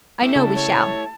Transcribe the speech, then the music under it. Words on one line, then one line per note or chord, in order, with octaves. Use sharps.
'I know we shall.
A3 E4 G4
C#3 A5
C#5